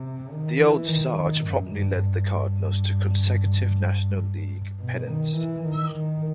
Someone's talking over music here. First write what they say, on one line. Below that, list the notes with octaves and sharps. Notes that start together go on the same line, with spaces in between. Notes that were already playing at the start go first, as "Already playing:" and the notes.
The Old Sarge promptly led the Cardinals to consecutive National League pennants.
Already playing: C3
D#3
E3
D#3
D#3
F#2
G2
G2
B2
D#3
E3
D#3
D#3